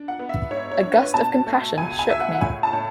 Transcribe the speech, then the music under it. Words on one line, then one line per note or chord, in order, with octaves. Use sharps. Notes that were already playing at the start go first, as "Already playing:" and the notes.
A gust of compassion shook me.
Already playing: D4
F#5
B3
E5
G#2 C#5
C#5
D4
B4
B2 A5
A3
C#2 G#5
G#5
C#2 E5
F#5
F#5
A2 G#5
A5
A2